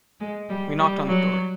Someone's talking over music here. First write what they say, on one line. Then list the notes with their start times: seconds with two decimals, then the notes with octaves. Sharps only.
We knocked on the door.
0.20 G#3
0.50 G3
0.79 G3
1.07 F#3